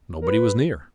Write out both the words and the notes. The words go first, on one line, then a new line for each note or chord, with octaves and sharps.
Nobody was near.
A#4
B4